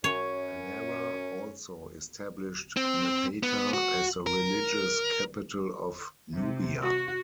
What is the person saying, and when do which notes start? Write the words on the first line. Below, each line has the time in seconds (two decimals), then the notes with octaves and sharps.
Alara also established Napata as the religious capital of Nubia.
0.04 F#2 C#4 C#5
2.77 C4
3.43 B3
3.74 F#4
4.27 A#4
6.32 C3
6.81 F#4